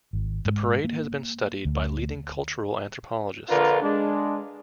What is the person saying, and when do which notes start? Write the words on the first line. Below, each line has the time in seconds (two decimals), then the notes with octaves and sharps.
The parade has been studied by leading cultural anthropologists.
0.13 G#1
0.45 G#2
0.84 A#3
1.65 D2
3.49 A#1 D3 D4 F4 A#4 B4
3.81 G#3 D4